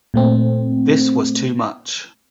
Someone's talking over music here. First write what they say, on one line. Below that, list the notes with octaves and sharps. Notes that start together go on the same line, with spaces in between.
This was too much.
A#2 A3 C4